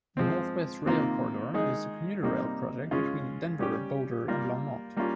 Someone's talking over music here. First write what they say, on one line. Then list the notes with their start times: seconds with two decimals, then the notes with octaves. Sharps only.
The Northwest Rail Corridor is a commuter rail project between Denver, Boulder, and Longmont.
0.17 F3 G#3 C4
0.86 C3 D#3 A#3 F4
1.54 D#3 G#3 D#4 G#4
2.23 C3 G3 A#3 D#4
2.91 C#3 G#3 C#4 F4
3.59 G3 C#4 G4
4.28 G3 A#3 F4 A#4
4.97 G3 A#3 C#4 F4